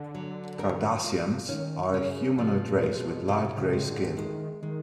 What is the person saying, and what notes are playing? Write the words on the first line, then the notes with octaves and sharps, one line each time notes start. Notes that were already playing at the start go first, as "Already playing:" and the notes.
Cardassians are a humanoid race, with light grey skin.
Already playing: D3 D4
F#3
A#4
F4
D#3 C#4
C#3 C#4
C3 F3
A#2
G#3
B2
A2 C3
C#3
C#3 G#3
D3
D#3 G#3
D#3 G#3